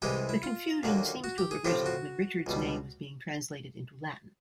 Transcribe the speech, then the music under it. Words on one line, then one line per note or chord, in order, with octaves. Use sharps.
The confusion seems to have arisen when Richard's name was being translated into Latin.
C2 C3 E3 G#3 G4
E4
F4
D#2 D3 F#3 A#3
F#4
G4
G#4
A2 F3 A3 C4 G4
F#4
C#2 B2 G3